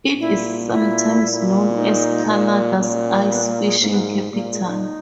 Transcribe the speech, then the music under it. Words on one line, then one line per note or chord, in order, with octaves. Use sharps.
It is sometimes known as Canada's ice fishing capital.
A#2 E4
E4
A#2
D#4
A#2
A#2 C#4
B3
A#3
G#3
G#2 A#3
B3
A#3
A#2 A#3
G#3
D#4